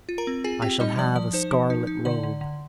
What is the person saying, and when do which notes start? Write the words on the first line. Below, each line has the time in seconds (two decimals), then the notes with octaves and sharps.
I shall have a scarlet robe.
0.09 F4
0.18 A#4 A#5
0.27 C4
0.44 F4 G#4 G#5
0.62 C4 G4 G5
0.80 G3 D#4 D#5
0.98 F3 D5
1.15 F3 D5
1.33 D#4 C5
1.51 F3
1.70 D#4
1.87 D#4
2.05 D3 D5
2.23 D3
2.41 D3